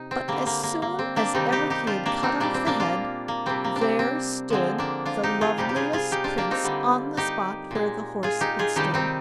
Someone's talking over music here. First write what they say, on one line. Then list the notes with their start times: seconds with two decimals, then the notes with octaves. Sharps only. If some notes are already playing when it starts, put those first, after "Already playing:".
But as soon as ever he had cut off the head, there stood the loveliest Prince on the spot where the horse had stood.
Already playing: C3 D#4
0.11 C4
0.28 D3 G3 A#3
0.47 A#3
0.63 A#3
0.82 A#3
0.99 C4
1.16 A#3 D4
1.34 C3 D#3 G3 C4 D#4
1.52 D#4 G4
1.70 D#4 G4
1.87 D4 F4
2.06 A#3 D4
2.23 C4 D#4
2.40 A#2 G3 A#3 D4
2.54 C4
2.66 A#3 D4
2.80 D4 F4
3.28 A#3
3.46 C3 G3 C4
3.64 A#3
3.76 D4
3.81 C4
3.99 C4
4.50 D3 F3 G#3 C4
4.78 A#3 D4
5.06 D4 F4
5.24 D#4 G4
5.41 F4 G#4
5.58 C3 G3 D#4 G4
5.69 G4
5.76 F4 G#4
5.93 F4 G#4
6.11 D#4 G4
6.24 D4 F4
6.38 A#3 D4
6.51 C4 D#4
6.64 D3 G3
7.17 D#4 G4
7.71 A#2 G#3
8.23 F4 G#4
8.41 D#4 G4
8.59 F4 G#4
8.76 C3 D#3 G3 D#4 G4
8.94 C4 D#4